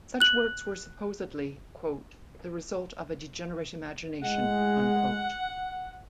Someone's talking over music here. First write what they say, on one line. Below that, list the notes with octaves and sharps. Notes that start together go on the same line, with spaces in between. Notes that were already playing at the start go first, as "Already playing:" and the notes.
Such works were supposedly "the result of a degenerate imagination".
F#6 F#7
A2 G#3 F#5